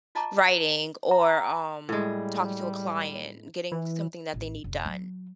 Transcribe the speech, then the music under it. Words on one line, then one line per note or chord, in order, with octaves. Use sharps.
Writing, or, um, talking to a client, getting something that they need done.
F4 D#5 A5 A#5 D6
A#5
A2 G3 G#3
E3
A1
F1
F#3